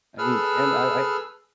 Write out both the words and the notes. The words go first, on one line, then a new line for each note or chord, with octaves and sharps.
I mean, and I I
G#4 A4 B4 E6 F6